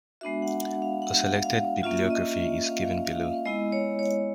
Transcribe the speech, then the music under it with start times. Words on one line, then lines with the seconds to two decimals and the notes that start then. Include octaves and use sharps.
A selected bibliography is given below.
0.21 G#3 B3 D4 F#4 E5
0.42 F#5
0.62 F#5
0.82 F5
1.02 F#5
1.43 F5
1.83 A#3 C#4 F4 E5
2.10 D#5
2.37 E5
2.65 F5
2.84 F5
3.05 F5
3.25 F5
3.45 G#3 B3 E4 D#5
3.72 C#5
3.99 C#5